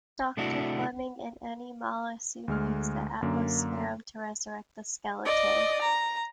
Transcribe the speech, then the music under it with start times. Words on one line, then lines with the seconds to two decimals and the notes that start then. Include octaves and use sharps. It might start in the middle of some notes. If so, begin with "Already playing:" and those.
Doctor Fleming and Animala soon use the atmosphereum to resurrect the Skeleton.
0.37 C3 A3 D4 E4 F#4
2.48 D2 G#3 F6
3.22 F#2 D3 A#3
5.25 D5 D#5
5.81 A#5